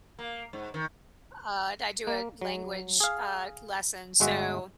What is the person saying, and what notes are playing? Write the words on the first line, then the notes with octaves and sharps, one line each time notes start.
Uh, du I do a language, uh, lesson, so,
A#3
G#2
D#3
A#3
F#3
G#4 F5
G1 G#3 F#4 E5